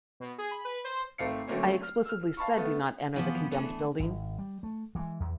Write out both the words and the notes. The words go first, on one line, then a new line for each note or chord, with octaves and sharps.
I explicitly said do not enter the condemned building.
B2
G#4
B5
B4
C5
G#1 A3 C4 F5 C7 C#7
D3 F#3 A3 A#3 C4 C#4
F6
E6 F6
F5 A5 B5 C#6
A3 B3 A4
F#2 E3 F3 B3
E3 A3 D4
G#1
G3
A3
E3 G#3
E2